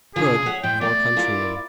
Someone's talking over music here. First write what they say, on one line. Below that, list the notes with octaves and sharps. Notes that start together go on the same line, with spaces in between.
Good for countrymen.
C#3 D4 F4 G#4
C#5 E5 F#5
A2 G#3 G5
A3 D5
E4 F4 A#4